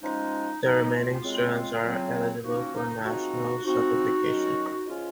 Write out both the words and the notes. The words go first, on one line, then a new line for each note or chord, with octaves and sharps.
The remaining students are eligible for national certification.
F3 G#3 C#4 D#4
C3 D#3 F#3 D#4
F4
C#3 G#3 C4
C#3 F#3 C4
F3 A#3 C#4 D#4 F#4
D#4
F3 G#3 C4 D#4 F#4
F3 C4 D#4 F#4
D#3 F#3 C#4
C#3 F3 G#3 C#4 F4